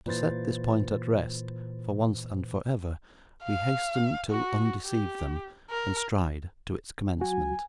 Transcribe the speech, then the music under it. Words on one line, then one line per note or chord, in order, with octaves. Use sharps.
To set this point at rest, for once and for ever, we hasten to undeceive them, and stride to its commencement.
A#2 E3 B4 C5 A6
F5
F#4
G4
A#4
F#3 F#4 G#5